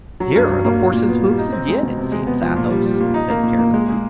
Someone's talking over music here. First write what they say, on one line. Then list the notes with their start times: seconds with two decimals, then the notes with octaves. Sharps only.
"Here are the horse's hoofs again, it seems, Athos," he said carelessly.
0.20 F#3
0.36 G2
0.51 F#3
0.64 A#3
0.80 A#2
0.94 A#2
1.08 B3
1.24 G3
1.38 D#4
1.52 C4
1.68 G#3
1.83 B2
1.97 C3
2.12 G#3
2.27 B3
2.42 F3
2.56 A#2
2.71 G3
2.86 G3
3.00 A#2
3.14 D#4
3.30 A#3
3.43 A#2
3.59 A#3
3.74 G#3
3.89 G#3